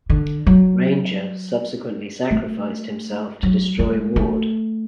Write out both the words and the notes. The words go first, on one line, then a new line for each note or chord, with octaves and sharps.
Ranger subsequently sacrificed himself to destroy Ward.
D3
F#3
A3
F#3
G#3
A3